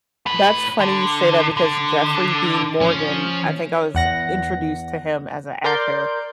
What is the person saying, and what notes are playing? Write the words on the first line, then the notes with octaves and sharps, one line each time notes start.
that's funny you say that because Jeffrey Dean Morgan, I think I was introduced to him as an actor
A2 B4
D3
D3
F3 C#4
E2 F#5 A#6
A#4 D5 C6 G6